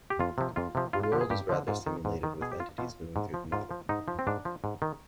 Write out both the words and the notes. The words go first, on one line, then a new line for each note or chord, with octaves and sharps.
The world is rather simulated with entities moving through the model.
G4
F2 F4
C3 F3
F2 F4
C3 F3
G2 F4
F4
D3 F3 G4
G#4
G2 G4
D3 F3
G#2 F4
D#3
G#2
D#3
B2 G#4
G4
F4
B2 F4
G#2
F3
G#2 F4
F3
G#2 D#4
F3
C4
G#2 D4
F3
G#2
D#3